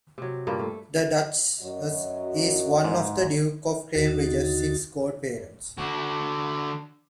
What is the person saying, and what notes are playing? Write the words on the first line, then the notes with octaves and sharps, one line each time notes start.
The Duchess is one of the Duke of Cambridge's six godparents.
C3 F#3
G2 A#2 A#3
A3
F#2 F#3 D#5
G#2
D#2 D3 D#4 F#4 A6
D3 F#4